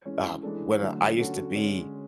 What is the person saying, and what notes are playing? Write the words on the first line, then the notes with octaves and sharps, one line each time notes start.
um, when I used to be
E3 G#3 C#4
E3 G#3 D4 A4
D3 F#3 A3
D3 F#3 C#4 F#4 A4
D3 G#3 C#4